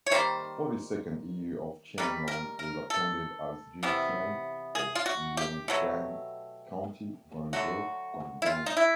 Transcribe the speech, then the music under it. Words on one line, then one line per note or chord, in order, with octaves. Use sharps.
Forty-second year of Qianlong, was appointed as Zhixian of Yongan County, Guangzhou, Guangdong.
C#5
D#3 G3 A#3 C5
D#3 G3 A#3 B4
A#4
A#4
A4
C3 E3 G3 B3
G#4
F4
F#4
G4
B2 F#3 A3
D3 F#3 A3 F#4
E4
F4
D#4
E4